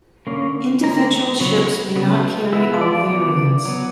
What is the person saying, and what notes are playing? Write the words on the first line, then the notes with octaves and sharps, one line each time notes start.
Individual ships may not carry all variants.
D3 A#3 C#4
D3 A#3 C#4 A#5
C#3 F#3 B3
C#3 F#3 B3
E3 B3 E5
D5
E3 B3
F#3 B3